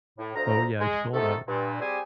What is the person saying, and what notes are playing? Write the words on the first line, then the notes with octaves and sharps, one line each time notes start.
Oh, yeah, I saw that.
A2
D2 C5 D#5 F5 A#5
G#3
C3 D#3 A3 B3 D#4 A4
G2 A#2
G3 C4 G4 G#4 C5 G#5